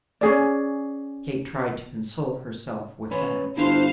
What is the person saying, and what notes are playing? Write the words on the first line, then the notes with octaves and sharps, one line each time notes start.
Kate tried to console herself with that.
C#4 G#4 D5
C#4 B4 C#5
G1 D4 E4 C5 F5